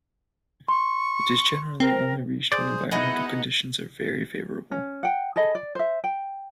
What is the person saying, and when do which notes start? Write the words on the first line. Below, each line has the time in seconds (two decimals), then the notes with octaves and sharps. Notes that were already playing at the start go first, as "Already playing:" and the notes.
It is generally only reached when environmental conditions are very favorable.
0.68 C6 C#6
1.80 C4 A#4
2.52 G#4 C5 D5
2.91 B3 D#4 E4 F#4 G#4 D#5 F#5
4.72 C#4
5.03 F#5 G5
5.36 G#4 A4 D#5 B5
5.55 D5
5.75 C5 E5
6.04 G5